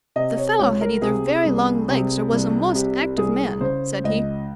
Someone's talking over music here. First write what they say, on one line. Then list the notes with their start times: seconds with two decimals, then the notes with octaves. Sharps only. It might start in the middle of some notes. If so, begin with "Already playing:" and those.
"The fellow had either very long legs or was a most active man," said he.
0.16 C3 D#5
0.37 C#5
0.59 C#2 C#5
0.81 A#4
1.02 C3 G#4
1.45 C2
1.88 C3
2.32 C2
2.74 C3 G4
3.17 C2 G#4
3.61 C#3 C5
4.04 C#2 D#5